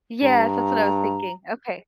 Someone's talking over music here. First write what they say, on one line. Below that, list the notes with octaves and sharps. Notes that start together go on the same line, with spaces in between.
Yes, that's what I was thinking. Okay.
G2 A#5